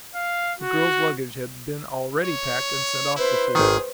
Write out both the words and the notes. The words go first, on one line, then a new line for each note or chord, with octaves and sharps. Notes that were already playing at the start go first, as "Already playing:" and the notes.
The girl's luggage had been already packed and sent off before.
F5
F#4
C#5
E4 B4 C5
G#1 D#3 G#4